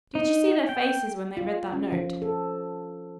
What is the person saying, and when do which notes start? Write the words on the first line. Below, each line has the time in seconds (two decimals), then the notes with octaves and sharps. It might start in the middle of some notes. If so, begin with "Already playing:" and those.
"Did you see their faces when they read that note?"
0.15 D#4
0.69 G5
1.37 F4
1.73 C#4
1.92 F3
2.22 A4